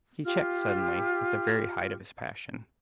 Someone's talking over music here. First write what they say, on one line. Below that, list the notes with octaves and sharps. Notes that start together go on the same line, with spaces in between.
He checked suddenly at the very height of his passion.
F4 G4 F6